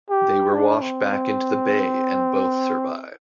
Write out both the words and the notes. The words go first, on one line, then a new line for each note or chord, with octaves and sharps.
They were washed back into the bay and both survived.
G4
D4
C4
C4